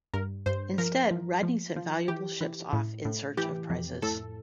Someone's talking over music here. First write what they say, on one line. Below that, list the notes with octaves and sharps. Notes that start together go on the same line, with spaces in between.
Instead, Rodney sent valuable ships off in search of prizes.
G2 A#4
G2 C5
F3 A#4
F3
F3
F3
E3 G4
E3
A2
A2
E3 G4
F2
A2 A4